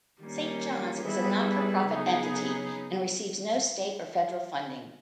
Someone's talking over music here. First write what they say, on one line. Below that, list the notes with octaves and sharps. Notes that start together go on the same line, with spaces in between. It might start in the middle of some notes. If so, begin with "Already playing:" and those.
Saint John's is a not-for-profit entity and receives no state or federal funding.
D#3 G3 A#3 C#4
G3 B3 E4 G#4 B4
C#3 F#3 B3 D#4 G#4